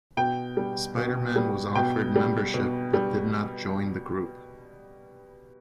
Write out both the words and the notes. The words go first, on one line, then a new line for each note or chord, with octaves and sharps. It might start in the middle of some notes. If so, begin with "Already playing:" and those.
Spider-Man was offered membership but did not join the group.
B2 G5
G3
B2
G3
B2 G5
G3
B2
G3